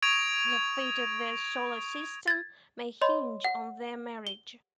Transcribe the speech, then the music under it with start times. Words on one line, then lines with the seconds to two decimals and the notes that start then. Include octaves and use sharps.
The fate of their solar system may hinge on their marriage.
0.02 C#6 D#6 G#6 A#6 D7 F7
2.28 G#6 A6
3.01 C#5 D#5 B5 C6
3.44 F#5
4.27 G7